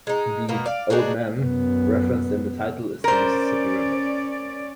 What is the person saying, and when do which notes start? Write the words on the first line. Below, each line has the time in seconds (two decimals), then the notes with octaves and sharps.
The "Old Man" referenced in the title is the Mississippi River.
0.07 G#3 D#4
0.49 B2 A#3 B3 A#4
0.66 D5 F5
0.90 D4 D#4 F#4 G#4
1.40 F#2 B3
3.04 C#4 A#4 C5 D5